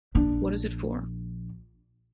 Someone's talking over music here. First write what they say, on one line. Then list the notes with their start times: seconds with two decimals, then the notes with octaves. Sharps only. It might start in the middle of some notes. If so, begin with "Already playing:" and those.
What is it for?
0.15 A#1 D4